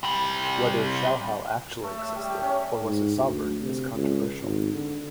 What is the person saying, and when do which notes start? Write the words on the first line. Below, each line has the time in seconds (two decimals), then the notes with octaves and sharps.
Whether Shaohao actually existed, or was a sovereign, is controversial.
0.04 C3 G3
1.84 A3
1.99 E5
2.15 G3
2.30 G4
2.43 C#4
2.82 G#2
3.16 D2
3.61 C3
3.93 C#2
4.41 G#1
4.73 D3